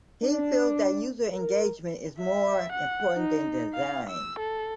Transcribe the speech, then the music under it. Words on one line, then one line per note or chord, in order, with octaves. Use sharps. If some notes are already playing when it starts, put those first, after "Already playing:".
He feels that user engagement is more important than design.
D4
A#4
E5
F#5
D#4
F5
E6
A4